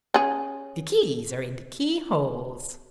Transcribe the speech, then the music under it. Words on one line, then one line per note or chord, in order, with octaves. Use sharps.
The keys are in the keyholes.
C#4 G#4